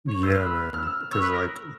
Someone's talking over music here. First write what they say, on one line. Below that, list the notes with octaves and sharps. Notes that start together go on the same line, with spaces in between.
Yeah, man. Because, like
C#5
C5 E6
B4 F6
E6
F6
E6
C#5 E6
B4
A#4 D#6